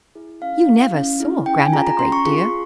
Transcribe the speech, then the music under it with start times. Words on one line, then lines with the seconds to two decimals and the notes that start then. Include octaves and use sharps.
"You never saw Grandmother Great, dear."
0.15 E4 G#4
0.42 C#4 F5
0.68 E4 G#4
0.94 C#4
1.20 E4 G#4
1.46 C#4 G5
1.60 G#5
1.73 F4 G#4 A#5
1.86 A#5
1.99 C#4 C6
2.12 C#6
2.25 F4 G#4 C#6
2.38 C6